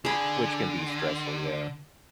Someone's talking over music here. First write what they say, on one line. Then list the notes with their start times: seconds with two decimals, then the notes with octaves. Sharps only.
which can be stressful, yeah.
0.05 D3 G#4 B5